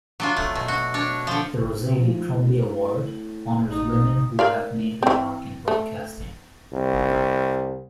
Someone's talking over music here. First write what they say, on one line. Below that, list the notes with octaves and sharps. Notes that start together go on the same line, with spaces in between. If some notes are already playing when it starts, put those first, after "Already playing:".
The "Rosalie Trombley Award" honours women who have made their mark in broadcasting.
F#3 D4 F4
A3
B2
F#4
D4 C#5
D3 F3
F3
A2
A1 D#4
A#4 D5 F5
E3 C4
A3
C2